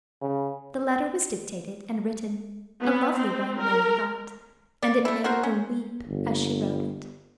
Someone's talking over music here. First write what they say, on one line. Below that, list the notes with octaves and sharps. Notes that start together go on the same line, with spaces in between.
The letter was dictated and written--a lovely one, Mary thought--and it made her weep as she wrote it.
C#3
B3
C4
A#4
D5
A3 E4
F#4 A#4 C5
C#4
G1